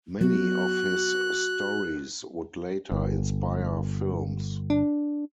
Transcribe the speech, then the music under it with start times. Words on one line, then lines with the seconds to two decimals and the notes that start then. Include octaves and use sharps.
Many of his stories would later inspire films.
0.21 F#3 B3 F#4 F#6
2.92 G1
4.70 D4